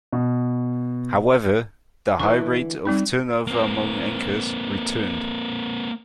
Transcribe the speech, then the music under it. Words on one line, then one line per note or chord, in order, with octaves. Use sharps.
However, the high rate of turnover among anchors returned.
B2
D3 E3 C#6
G3 C4 D#4
A#3 C4